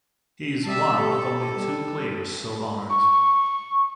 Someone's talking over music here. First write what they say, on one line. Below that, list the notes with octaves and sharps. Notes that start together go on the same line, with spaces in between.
He is one of only two players so honored.
G3 E5 A5
G4 A4
G3
C#6